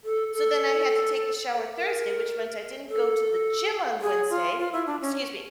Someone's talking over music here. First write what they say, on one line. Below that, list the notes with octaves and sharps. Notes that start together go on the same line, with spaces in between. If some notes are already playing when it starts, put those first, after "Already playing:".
So then, I had to take the shower Thursday, which meant I didn't go to the gym on Wednesday excuse me.
A4
A4
A#4
A4
G#4
F4
F4
E4
D4
C#4